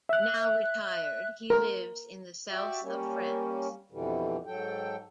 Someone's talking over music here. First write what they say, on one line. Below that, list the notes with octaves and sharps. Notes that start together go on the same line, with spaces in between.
Now retired, he lives in the south of France.
E5 F#6
A#4
F#4 G4 D5 E5
G3 A#3 C#4
F2 B2 D3 E3 G3
G#2 F#3 A4 G5